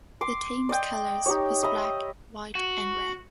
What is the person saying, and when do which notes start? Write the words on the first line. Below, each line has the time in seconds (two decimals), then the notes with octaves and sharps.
The team's colours was black, white and red.
0.21 C6 D6
0.69 D5 D#5 G5
1.26 D#4 G4 C#5
1.63 D#5 E5 A#5 B5
2.55 F#4